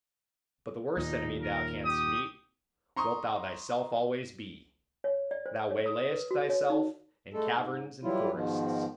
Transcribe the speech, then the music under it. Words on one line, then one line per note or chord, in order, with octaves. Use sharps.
But the worst enemy thou canst meet, wilt thou thyself always be; thou waylayest thyself in caverns and forests.
D#2 A#2 D#4
A#4
G4 D#6
A#5 C6 C#6 D#6
C#5
D5
C5
C#5
D#6
B4
F#4
C#5
D#4
G#3 A3 A4
G#2
E3 F#3 G3 E4 F4
G#2 B2 D#3 F3